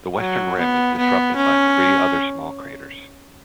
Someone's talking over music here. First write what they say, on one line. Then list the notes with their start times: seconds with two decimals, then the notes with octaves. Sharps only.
The western rim is disrupted by three other small craters.
0.19 F#3
0.58 B3
0.98 B3
1.36 C#4